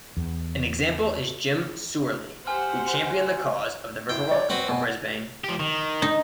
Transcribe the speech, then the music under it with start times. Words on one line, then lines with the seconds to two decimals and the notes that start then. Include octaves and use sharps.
An example is Jim Soorley who championed the cause of the Riverwalk for Brisbane.
0.17 E2
2.47 G4 C5 F#5 G#5 F6
4.09 E4 C5 G5
4.31 C#5 D5
4.50 C4 F#4 B4 C5
4.68 B2 G#5
5.44 F3 G4
5.60 D#3
6.02 D#4